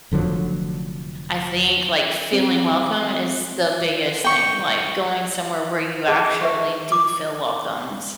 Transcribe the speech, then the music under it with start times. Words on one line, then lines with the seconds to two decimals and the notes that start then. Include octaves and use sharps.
I think, like, feeling welcome is the biggest thing, like going somewhere where you actually do feel welcomed.
0.11 F1 D3 F3 F#3
2.33 C4
4.24 G5 C#6
6.06 G#4 D#5
6.42 B4 E5 C#6
6.92 D6